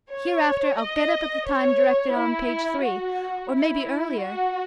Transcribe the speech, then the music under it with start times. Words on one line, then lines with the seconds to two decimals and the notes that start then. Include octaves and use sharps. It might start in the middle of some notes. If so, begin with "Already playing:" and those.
Hereafter I'll get up at the time directed on page three, or maybe earlier.
0.11 C#5
0.79 D#5
1.47 C#5
2.15 E4
2.84 F#4
3.52 E4
4.21 F#4